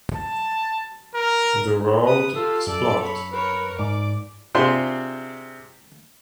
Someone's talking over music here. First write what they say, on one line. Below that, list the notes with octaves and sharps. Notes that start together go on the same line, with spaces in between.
The road is blocked.
A5
A#4
B4 D#6
F4 G4 A4
F#2 A4 D5
C#5 B5
A#4 B4 C#5
G#2 D5 D6
C3 C4 D4 F4 G#4 C6